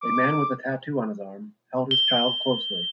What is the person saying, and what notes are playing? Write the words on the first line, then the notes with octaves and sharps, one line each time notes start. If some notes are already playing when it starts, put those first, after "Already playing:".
A man with a tattoo on his arm, held his child closely.
D6
G7